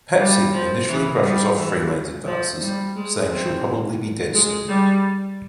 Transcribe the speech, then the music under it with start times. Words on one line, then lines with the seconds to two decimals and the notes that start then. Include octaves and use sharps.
Patzig initially brushes off Frelaine's advances, saying she'll probably be dead soon.
0.18 G3
0.53 F3
0.88 E3
1.22 G3
1.57 E3
2.26 F3
2.61 G3
2.96 G#3
3.30 C4
4.34 G#3
4.68 G3